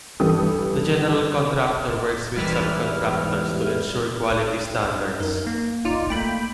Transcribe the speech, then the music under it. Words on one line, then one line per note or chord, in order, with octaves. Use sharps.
The general contractor works with subcontractors to ensure quality standards.
G2 E3 G4 A4 D#6
E2 G#2 G3 E4 B4 F6
F#2 D#4 A#4
A#3
D#4 F4 D5 F5
A3 A#3 G5 B5